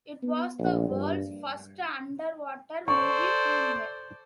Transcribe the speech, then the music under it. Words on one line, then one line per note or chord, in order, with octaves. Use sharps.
It was the world's first underwater movie premiere.
B3
A#1
G2
A4 C5 D5 C#6